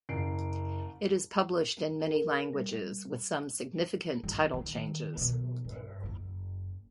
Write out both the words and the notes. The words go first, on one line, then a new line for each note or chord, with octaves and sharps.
It is published in many languages with some significant title changes.
F#1 C7 D7
A#4
G3
D#3 G3
D#3
B2 F#3
G2
F#1 F#2